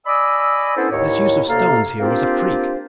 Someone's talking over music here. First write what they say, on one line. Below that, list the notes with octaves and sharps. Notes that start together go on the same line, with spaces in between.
This use of stones here was a freak.
D5 D#5 G#5 B5 D6 E6
B3 C#4 D4 E4 A4 C5
D#2 A2 E4 C#5
D2 C3 A#3 A4 F5 A#5
A#3 C4 D4 F4 G4 C5